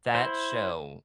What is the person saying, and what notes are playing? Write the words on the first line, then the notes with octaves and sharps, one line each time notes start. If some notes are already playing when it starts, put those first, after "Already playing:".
That show,
E4 C5